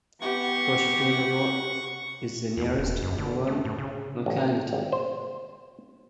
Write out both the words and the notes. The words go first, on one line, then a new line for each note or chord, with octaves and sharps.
Kushpelevo is the nearest rural locality.
B3 G4 F#5 C#6
E2
E1
F#2
D3
A3
A2
C#3
A1
G#1
C5